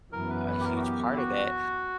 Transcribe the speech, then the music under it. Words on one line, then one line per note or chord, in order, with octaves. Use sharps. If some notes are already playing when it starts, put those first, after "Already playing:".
a huge part of it,
F#2 E3 B3 A#4
B4
B4
G4
A#4
F#4
G4
E4
F#4